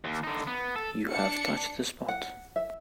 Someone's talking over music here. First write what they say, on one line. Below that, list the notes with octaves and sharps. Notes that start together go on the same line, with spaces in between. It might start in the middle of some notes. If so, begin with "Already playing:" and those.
You have touched the spot.
D#2
D3 D#4
B3
A4
D4 C#7
F#5
E5